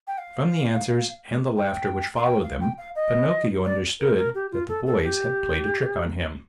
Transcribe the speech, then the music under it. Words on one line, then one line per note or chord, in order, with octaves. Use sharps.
From the answers and the laughter which followed them, Pinocchio understood that the boys had played a trick on him.
G5
F5
G5
F5
G5
F5
G5
F5
D#5
D5
A#4
A#4
G4
F4
A4
A4
G4